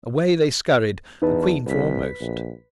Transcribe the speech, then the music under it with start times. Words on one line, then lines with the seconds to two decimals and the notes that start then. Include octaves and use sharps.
Away they scurried, the queen foremost.
1.22 E2 D#4 B4 A5
1.66 C2 B4 B6
2.21 A#1